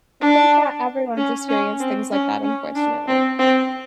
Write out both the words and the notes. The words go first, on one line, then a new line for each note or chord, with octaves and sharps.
I think that everyone's experienced things like that, unfortunately.
D4
C#4
C#4
C4
C#4
C#4
D4
C4
C4